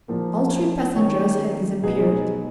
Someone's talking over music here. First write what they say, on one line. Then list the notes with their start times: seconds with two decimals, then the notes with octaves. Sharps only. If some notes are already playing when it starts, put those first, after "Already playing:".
All three passengers had disappeared.
0.08 A#2 F3 A#3
0.95 D#3 G3 A#3 C#4 C#5
1.17 G4
1.82 B2 F#3 B3 D#4 G#4